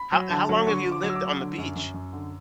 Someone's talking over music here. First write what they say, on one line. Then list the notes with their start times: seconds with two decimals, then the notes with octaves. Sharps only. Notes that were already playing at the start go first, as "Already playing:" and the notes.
How how long have you lived on the beach?
Already playing: B5
0.12 F#3
0.29 D3 A5
0.49 F#3
0.67 D3 C#6
0.84 D3
0.92 D6
1.03 F#3
1.10 E6
1.15 D6
1.21 F#3
1.40 D3
1.58 F#2
1.76 F#2
1.94 F#2
2.13 D3